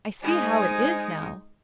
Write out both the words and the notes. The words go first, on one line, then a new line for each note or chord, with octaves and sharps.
I see how it is now.
G#3 D#4 C5 G#5